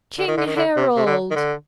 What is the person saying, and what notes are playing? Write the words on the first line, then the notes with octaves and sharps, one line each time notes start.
"King Harald!"
D3
D#3
D3
D#3
D3
C3
C3
D3
D#3
D3